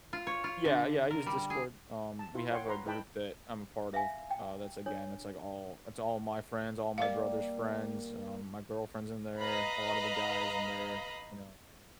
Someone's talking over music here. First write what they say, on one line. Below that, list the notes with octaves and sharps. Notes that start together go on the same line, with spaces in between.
Yeah, yeah, I use Discord. Um, we have a group that I'm a part of, uh, that's, again, it's, like, all it's all my friends, all my brother's friends, um, my girlfriend's in there, a lot of the guys in there, you know,
F4
C#5
F4
D3
A#4
G3
G#4
A5
E4 F4
C#5 F#5 G5 C6
B4 A#5 C6
E4 B4 D#5 G5 A5 B5
E5 F5 G#5
G5
D4 C#5
G3 A#3 D5 F5
B4 D#5 F5 A#5 B5